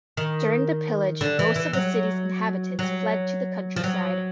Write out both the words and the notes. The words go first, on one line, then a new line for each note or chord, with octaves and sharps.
During the pillage most of the city's inhabitants fled to the countryside.
D#3
D3
E3
E3
F#3
F#3
F3
F#3